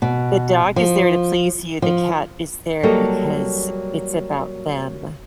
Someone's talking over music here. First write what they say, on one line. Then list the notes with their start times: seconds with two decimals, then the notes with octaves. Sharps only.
the dog is there to please you, the cat is there because it's about them.
0.02 B2
0.76 F3
1.82 F3
2.83 F#3 G3 A#3 A4 D#5